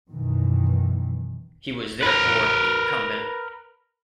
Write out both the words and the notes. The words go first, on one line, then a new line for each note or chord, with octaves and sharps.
He was therefore the incumbent.
F#2 B2 D#3 E3
A#4 B4